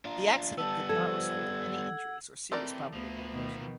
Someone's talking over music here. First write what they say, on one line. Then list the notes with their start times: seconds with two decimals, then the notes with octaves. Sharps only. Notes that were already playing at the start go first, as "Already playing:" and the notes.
The accident did not result in any injuries or serious property damage.
0.05 D4 F4 A#5
0.58 G3 B3 A5 E6
0.89 F3 A4 G#6
1.56 F#5
2.52 E3 A3 C4 G4 A#4 D5
2.93 D2 F3 A#3 B3
3.32 B2 D#3